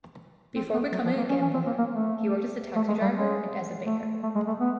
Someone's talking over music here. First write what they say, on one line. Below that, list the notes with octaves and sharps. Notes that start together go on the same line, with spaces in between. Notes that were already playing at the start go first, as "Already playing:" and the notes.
Before becoming a gambler, he worked as a taxi driver and as a baker.
C4
B3
F#3
F3
A#3
C#4
C#4
C4
A#3
A#3
A3
A3
G#3
G3
G#3
A3
A3
G#3
A3
B3